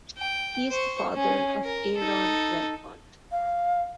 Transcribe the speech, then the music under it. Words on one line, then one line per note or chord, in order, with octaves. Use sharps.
He is the father of Aaron Redmond.
G5
C5 C#6
C#4 G#4
A#4
D#4 A4
F5